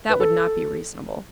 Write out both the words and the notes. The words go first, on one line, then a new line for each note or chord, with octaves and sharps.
That would not be reasonable.
B4
A4